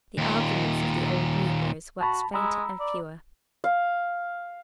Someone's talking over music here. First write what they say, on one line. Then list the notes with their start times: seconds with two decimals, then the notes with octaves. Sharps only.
The arguments of the old negroes waxed fainter and fewer.
0.18 D#2 A#2
2.01 F#4 A5 B5
2.34 G#3 A#5 B5 E6
2.80 D5
3.64 F5